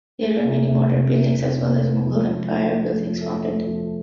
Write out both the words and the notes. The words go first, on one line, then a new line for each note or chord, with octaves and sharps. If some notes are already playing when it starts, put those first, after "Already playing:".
There are many modern buildings as well as Mughal Empire buildings founded.
G#3
C3
C3
C3
C3
C3
C3
B3
F3
F3
F3
A3
F3
A3
A3
F3